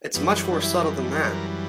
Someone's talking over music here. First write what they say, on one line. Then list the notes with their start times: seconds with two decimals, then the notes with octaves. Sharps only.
It's much more subtle than that.
0.14 F#2 E3 G3 B3
0.52 D4
0.64 E4
0.80 A#4
1.12 A#4